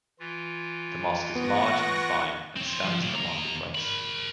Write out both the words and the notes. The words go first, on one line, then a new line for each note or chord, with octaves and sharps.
The mosque is large and fine, and stands in the market-place.
E3 F4
B3 F#5 C#6 A#6
C4 C#5
F3
A2 D3
D#2 A#5
A#4 B5